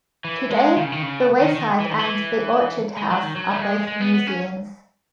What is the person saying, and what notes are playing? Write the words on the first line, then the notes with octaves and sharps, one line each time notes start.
Today, The Wayside and the Orchard House are both museums.
E3
G#3
D#3
C#3
D#3
C#3
D#3
D#3
E3
D#3
E3
G#3
F#3
D#3
F#3
A3
G#3
G#3
B3
B3
C#4